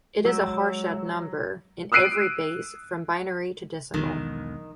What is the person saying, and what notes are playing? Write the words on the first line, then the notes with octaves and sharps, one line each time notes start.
It is a Harshad number in every base from binary to decimal.
F#3 G#3 C#5 E6
D#6 E6 F#6 C7 D7 D#7
E1 B1 D#3